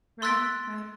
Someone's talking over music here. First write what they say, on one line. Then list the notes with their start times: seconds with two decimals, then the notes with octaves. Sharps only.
Right, right.
0.22 C6 E6 F#6 A6 B6 D7